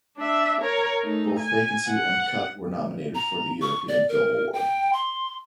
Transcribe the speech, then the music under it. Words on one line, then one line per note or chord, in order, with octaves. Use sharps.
Both Vacancy and Cut were nominated for the European Film Award.
D4 E5
A#4 C#5
A3 D#4
G#5
F#5
A#5
C#6
D5
A#4
G5
C6